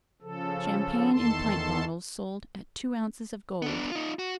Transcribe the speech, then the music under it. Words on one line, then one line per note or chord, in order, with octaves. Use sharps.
Champagne in pint bottles sold at two ounces of gold.
C#3 F3 A4
E2 D#3 A4 A5 C6
B3 D4
D#4 F4
F#4